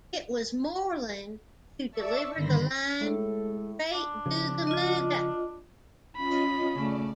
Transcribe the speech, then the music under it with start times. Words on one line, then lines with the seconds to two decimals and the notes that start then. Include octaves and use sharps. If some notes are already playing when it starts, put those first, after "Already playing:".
It was Moreland who delivered the line, Great Googa Mooga!
1.91 D5 E5 A5 C#6 E6
2.33 G2 D3 D#3 B5 C6 A#6
3.01 A2 G#3 A4
3.94 D4
4.26 C#3 F3
4.67 F4 D#5
6.16 C#4 F4 D#5 B5
6.75 C#3 A3 D5